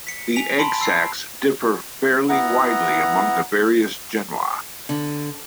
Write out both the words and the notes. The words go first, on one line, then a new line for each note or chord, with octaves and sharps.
The egg sacs differ fairly widely among the various genera.
B6 C#7
G#5 B6 F7
A5 B5 C6 D7
E6 C7
B3 E4 F#5 A#5
D3